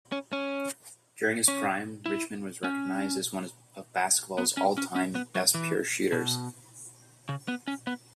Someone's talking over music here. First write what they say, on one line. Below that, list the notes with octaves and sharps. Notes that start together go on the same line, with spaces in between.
During his prime, Richmond was recognized as one of basketball's all-time best pure shooters.
C#4
C#4
C#4
E4
C#4
B3
C#4
C#4
C#4
B3
F#3
E3
B2
C#3
B3
C#4
B3